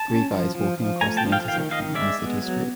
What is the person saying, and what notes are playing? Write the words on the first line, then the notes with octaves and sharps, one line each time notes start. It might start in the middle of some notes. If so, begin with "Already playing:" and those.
Three guys walking across the intersection on a city street.
Already playing: A5
C#4
F3
F3
F3
A3 G#5 A#5
G5 A5
F3
F5 G5
D#3 F5 G5
D#3 D#5 F5
G#3 D5 E5
B3
F#3